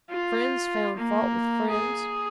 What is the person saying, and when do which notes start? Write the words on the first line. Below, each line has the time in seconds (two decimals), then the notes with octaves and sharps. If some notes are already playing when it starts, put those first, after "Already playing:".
Friends found fault with friends.
0.11 F4
0.97 A#3
1.70 G#4